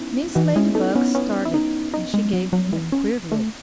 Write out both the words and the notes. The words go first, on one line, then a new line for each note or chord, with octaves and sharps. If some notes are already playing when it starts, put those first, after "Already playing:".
Mrs. Ladybug started; and she gave him a queer look.
Already playing: B3 C#4 D#4 E4
E3 D#4 F#4
G#3 C#4 E4
A3 B3 D#4
B3 C#4
B3 C#4
E4
D#4
D#4
G#3
F#3
F#3
E3
C#4
A3